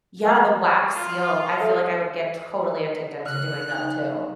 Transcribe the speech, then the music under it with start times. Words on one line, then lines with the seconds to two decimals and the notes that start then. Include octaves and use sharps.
yeah, the wax seal, I feel like I would get totally addicted to doing that, too.
0.25 B4 G5
0.93 F4
1.61 A4 E5
3.26 C#3 F#6
3.71 D#4